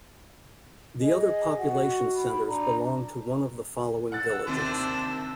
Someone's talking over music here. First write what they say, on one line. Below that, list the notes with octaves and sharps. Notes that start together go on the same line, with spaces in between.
The other population centres belong to one of the following villages.
G#4 D#5
F#4 F#5
B5
D4 A#5
F#5 E6 F#6 A6
D#2 C3 D4 C5 A6